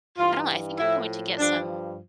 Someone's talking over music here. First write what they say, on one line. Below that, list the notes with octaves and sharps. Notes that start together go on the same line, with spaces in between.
I don't know, I think I'm going to get some,
G2 E3 F4
A2 F3 E4
G2 F3 D4